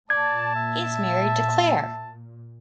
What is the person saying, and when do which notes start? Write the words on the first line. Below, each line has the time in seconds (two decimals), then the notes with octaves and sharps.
He is married to Claire.
0.10 A#2 D5 A5 G#6
0.56 E5